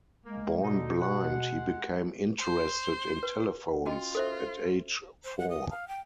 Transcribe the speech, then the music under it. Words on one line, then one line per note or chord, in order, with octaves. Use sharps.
Born blind, he became interested in telephones at age four.
G#3 A#3
B2 D3 D#4
G#3 F#5
C5
B4
C#4 F4 F#4 D#5
A4 C5 E5
C5
F#5
D#6
F5
G5